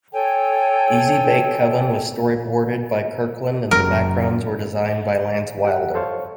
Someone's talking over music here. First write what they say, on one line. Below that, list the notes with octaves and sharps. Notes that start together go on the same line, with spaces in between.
"Easy-Bake Coven" was storyboarded by Kirkland and the backgrounds were designed by Lance Wilder.
A4 C#5 G5 G#5
F#1 A#4 A#6 D7
G4 F#5
A4 C5 C#5 F5 C#6